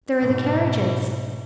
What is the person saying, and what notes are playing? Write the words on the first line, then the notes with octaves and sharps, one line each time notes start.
'There are the carriages.'
G#2 B2